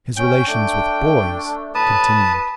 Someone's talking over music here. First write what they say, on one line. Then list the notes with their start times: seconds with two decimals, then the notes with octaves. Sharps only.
His relations with boys continued.
0.17 C#4 G5
0.47 A3 D4
1.75 A2 B4 A5 D#6